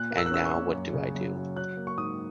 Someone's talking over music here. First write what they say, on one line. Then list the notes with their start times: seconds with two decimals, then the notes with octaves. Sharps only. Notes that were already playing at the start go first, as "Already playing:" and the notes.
And now, what do I do?
Already playing: A#2 F#6
0.11 A#3
0.18 E6
0.26 F#6
0.31 C#4 E6
0.45 C#6
0.52 A#3
0.73 F#2
0.94 C#3
1.15 F#2
1.36 F#3
1.56 F#3 F#6
1.77 A#3
1.87 C#6
1.97 G#2 D#6